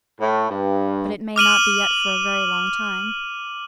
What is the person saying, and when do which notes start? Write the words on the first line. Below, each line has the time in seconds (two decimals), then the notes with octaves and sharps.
"But it may not be yet for a very long time."
0.19 A2
0.50 G2
1.36 D6 F6 D#7 F#7